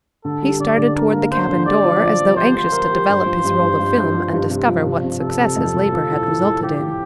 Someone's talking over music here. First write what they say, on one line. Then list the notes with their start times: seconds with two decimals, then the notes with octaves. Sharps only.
He started toward the cabin door as though anxious to develop his roll of film and discover what success his labor had resulted in.
0.25 D3 A4
0.42 G3
0.59 D3 D5
0.78 D3
0.95 D4 A#4
1.13 A#3
1.31 D4 C5
1.48 D3
1.66 G4 D5
1.84 F3
2.02 F3
2.19 C4
2.37 G4 C5
2.56 F3
2.72 A#4
2.91 G4
3.08 G2
3.26 F3
3.44 G2
3.61 G2
3.79 G2
3.97 G2
4.14 F3
4.33 G2
4.49 C3
4.67 F3
4.85 C3
5.04 C3
5.20 C3 A4
5.39 C3
5.56 F2
5.74 C3
5.92 F3
6.10 A2
6.28 A2
6.45 A2
6.62 F3 G4
6.81 A2